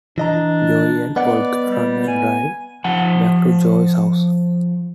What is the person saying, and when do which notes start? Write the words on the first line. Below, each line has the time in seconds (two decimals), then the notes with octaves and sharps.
Joey and Oleg run and drive back to Joey's house.
0.18 E3 D4 D#5 A#5
1.16 B3 D5 D#5 F#5
1.67 G3
2.08 G#5
2.84 F3 F#5 A5